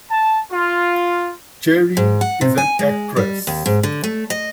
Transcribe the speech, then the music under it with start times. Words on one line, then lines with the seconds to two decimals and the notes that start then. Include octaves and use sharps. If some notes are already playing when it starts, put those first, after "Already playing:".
Cherie is an actress.
0.10 A5
0.52 F4
1.97 G#2
2.21 F#5
2.41 C3
2.58 G#5
2.79 G#3
3.16 G3
3.47 D#2
3.66 G#2
3.83 D3
4.04 A3
4.30 D#5